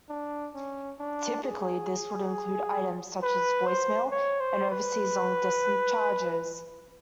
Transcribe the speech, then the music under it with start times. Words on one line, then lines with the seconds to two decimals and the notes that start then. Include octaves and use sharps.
Typically this would include items such as voice mail and overseas long distance charges.
0.09 D4
0.54 C#4
0.99 D4
1.44 G#4
3.23 B4
3.66 C5
4.11 C#5
4.40 C5
4.71 B4